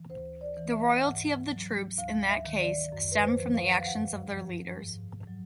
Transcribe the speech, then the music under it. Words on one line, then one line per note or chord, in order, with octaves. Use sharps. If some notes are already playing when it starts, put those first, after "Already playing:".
The loyalty of the troops, in that case, stemmed from the actions of their leaders.
Already playing: E3
D2 C5
D5
E3
E5
G#2 F#5
F#3
D2 F5
E5
D#3
D5
F#2
B4
C5
F3
F5
F5
G2 F#5
F3
G#2
F#3